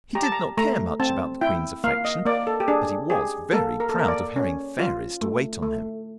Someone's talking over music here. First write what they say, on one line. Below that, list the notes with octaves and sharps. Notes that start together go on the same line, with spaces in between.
He did not care much about the Queen's affection, but he was very proud of having fairies to wait on him.
G4 A#5
A5
A#5
A3 A#5
C4 A5
E4 G5
A#3 F5
D#5
A#3 D5
A4
G4
D4 G#4
G4 G#4
A#3 A4
A#4
A4
A#3 A#4
D5
C#4
F4
A3
A3